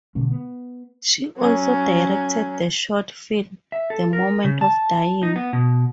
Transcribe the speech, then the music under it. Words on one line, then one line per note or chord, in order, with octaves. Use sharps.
She also directed the short film "The Moment of Dying".
B2 D3 G#3 C#4
B3
F#3 C#4
E5
A4
A#4
C#3
A5
D#4
B3
B2